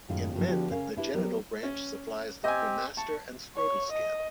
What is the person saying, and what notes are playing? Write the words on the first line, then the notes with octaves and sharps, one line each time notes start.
In men, the genital branch supplies the cremaster and scrotal skin.
F#2 A2 D#3 G#3 C#4 F4
G2 C#3 F3 F#3 A#3
D3 F3 B3 F#4 G4
C#3 C#4 A#4 F5
D4 E4 G4 B4
F#3 G3 B3 G4 A#4
C#4
C4 G4 D#5 G#5
A5 C#6
C#5
D#5